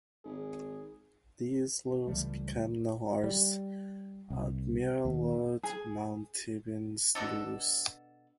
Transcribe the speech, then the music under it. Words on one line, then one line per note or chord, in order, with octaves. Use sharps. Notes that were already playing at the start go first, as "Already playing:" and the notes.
These rules became known as Admiral-Lord Mountevans rules.
G#1 G#4
C#2 E3 G3 A3
G3
C2
D#2
G#4
B2 F#3 D4 A4